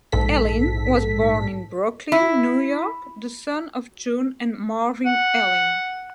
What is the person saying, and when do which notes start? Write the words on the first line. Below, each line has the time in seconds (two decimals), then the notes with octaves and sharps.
Ellin was born in Brooklyn, New York, the son of June and Marvin Ellin.
0.12 A#1 G#2 A4 B6
2.12 E4
5.06 F#5